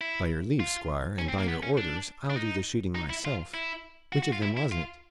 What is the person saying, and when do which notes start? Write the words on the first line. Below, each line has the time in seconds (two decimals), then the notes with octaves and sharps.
"By your leave, Squire, and by your orders, I'll do the shooting myself. Which of them was it?"
0.01 E4
0.60 F4
1.19 C#4
1.28 C4
1.38 A#3
1.48 B3
1.63 C#4
1.77 D4
2.30 D4
2.36 D#4
2.95 D#4
3.10 E4
3.25 F4
3.54 E4
4.13 F#4
4.23 F#4
4.32 F4
4.42 E4
4.57 E4
4.72 F4